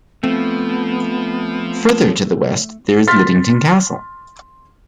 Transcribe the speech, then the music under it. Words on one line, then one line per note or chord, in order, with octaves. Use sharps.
Further to the West, there is Liddington Castle.
F3 A3 B3 C4
C6 F6 A6 B6